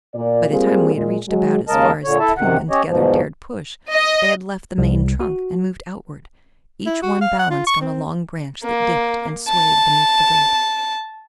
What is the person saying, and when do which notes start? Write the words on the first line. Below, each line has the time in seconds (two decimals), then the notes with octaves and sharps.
By the time we had reached about as far as three men together dared push, they had left the main trunk and moved outward, each one balanced on a long branch that dipped and swayed beneath the weight.
0.15 A#2 D5
0.50 G3 A#3 C4 F4 G#4
0.94 A#2 G#3
1.29 F#3 G#3
1.68 D#2 C#3 G#3 A#4 D#5 A5
2.04 A#2 D3 C#5
2.20 E4 A4 E5 A5
2.37 F#2 C3 D#3 F#5
2.70 C#4 G4 C#5 D#5
2.87 E2 G#2 B2 F3
3.93 D#5
4.78 C2
5.20 F#4
6.86 E4
7.02 F#4
7.21 F5
7.39 F#5
7.50 F4
7.67 C#6
7.81 C4
8.64 A#3
9.48 A5